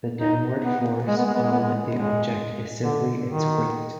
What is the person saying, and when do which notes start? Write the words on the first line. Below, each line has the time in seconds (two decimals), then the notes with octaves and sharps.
The downward force on the object is simply its weight.
0.20 D#4
0.64 B3
1.08 G#3
1.17 B3
1.25 G#3
1.34 B3
1.43 G#3
1.51 B3
1.60 G#3
1.96 G#3
2.83 D3
3.27 D#3